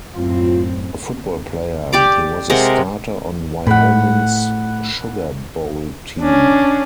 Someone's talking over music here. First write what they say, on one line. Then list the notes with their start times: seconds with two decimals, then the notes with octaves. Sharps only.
A football player, he was a starter on Wyoming's Sugar Bowl team.
0.13 F#2 A2 C4 F4
1.93 G4 D5 D6
2.50 C3 G#3 A#4 F#5
3.67 A2 F#5 B5
6.19 C#4 D4